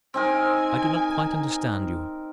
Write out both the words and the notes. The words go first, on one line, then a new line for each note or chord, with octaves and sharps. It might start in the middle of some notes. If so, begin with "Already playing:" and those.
"I do not quite understand you."
C4 D#4 A#4 G#5